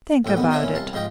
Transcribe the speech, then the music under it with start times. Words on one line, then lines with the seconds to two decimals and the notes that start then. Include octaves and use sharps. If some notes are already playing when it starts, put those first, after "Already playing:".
Think about it.
0.25 A1 A2 F4 G5
0.37 C3 D#3 B3
0.51 D4 D#4 A#4 C5 C#5 E5
0.63 A#2 E3 C#4
0.75 C2 F5 A5
0.93 G#2 F3 F4 D#5 G5